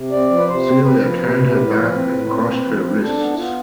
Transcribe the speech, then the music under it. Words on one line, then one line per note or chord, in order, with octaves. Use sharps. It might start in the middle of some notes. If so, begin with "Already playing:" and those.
Celia turned her back and crossed her wrists.
Already playing: C3
C4 D5
F3
B4
C3 C5
C4
C4 B4
F3
C3
C3
A2
F3
C4
A2
C4
C4
F3
C4
B4
D4 A4
B3
E4
B3 F4